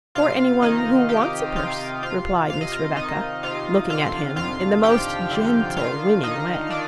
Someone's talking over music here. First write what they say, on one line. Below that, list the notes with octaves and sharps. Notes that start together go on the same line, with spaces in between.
"For any one who wants a purse," replied Miss Rebecca, looking at him in the most gentle winning way.
C3 F4 F5
D#3 D#4 D#5
D#3 G4 G5
C3 F4 F5
C3 F4 F5
C3 F5
D#5
F4 F5
D#3 D#4 D#5
C3 F4 F5
D3 F4 F5
F2 F4 F5
F3 G4 G5
D3
D#3 F4 F5
D#3 D#4 D#5
D#3 D4 D5